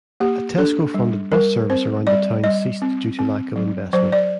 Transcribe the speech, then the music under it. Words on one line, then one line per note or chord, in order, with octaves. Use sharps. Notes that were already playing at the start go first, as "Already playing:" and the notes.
A Tesco-funded bus service around the town ceased due to lack of investment.
A#3 G4
D4 A4
G3
G3 A#4
C4 C5
G3 D5
G3 D#5
C4
C4
F#3
F#3 C5
D5